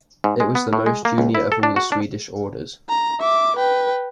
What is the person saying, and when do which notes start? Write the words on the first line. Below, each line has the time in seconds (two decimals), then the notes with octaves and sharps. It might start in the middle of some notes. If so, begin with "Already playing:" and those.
It was the most junior of all the Swedish orders.
0.24 G#2
0.40 G#3
0.55 B3
0.73 A2
0.86 G#3
1.05 A#3
1.18 C#2
1.35 E4
1.52 A4
1.63 D4
1.76 F#4
1.92 D4
2.89 A#5
3.21 E5 D6
3.56 B4 G5